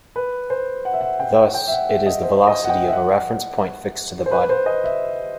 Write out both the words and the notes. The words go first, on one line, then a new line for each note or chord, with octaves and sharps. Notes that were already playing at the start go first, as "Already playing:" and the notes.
Thus, it is the velocity of a reference point fixed to the body.
B4
C5
F#5
E5
F#5
G5
G5
E5
F#5
E5
D#5
C5
D#5
F#5
G5
E5
F#5
C5
B4
C5
D#5
E5